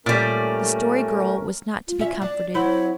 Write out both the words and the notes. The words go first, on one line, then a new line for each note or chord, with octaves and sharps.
The Story Girl was not to be comforted.
A#2 G3 A3 C#4 A#4
F4
C#4 E5
D4 D5
F#3 C4 E4 C#5